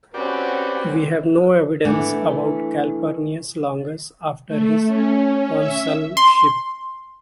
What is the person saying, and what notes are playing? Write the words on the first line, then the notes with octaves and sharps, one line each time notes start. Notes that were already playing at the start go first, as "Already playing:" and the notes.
We have no evidence about Calpurnius Longus after his consulship.
C4 C#4 F#4 G4 B4 D5
E3 A3 B3 D4 E4
A3
C#4
E5
C6